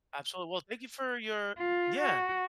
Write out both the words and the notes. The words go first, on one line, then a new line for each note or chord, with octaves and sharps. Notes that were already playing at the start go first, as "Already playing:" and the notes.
Absolutely. Well, thank you for your Yeah.
F4
F#4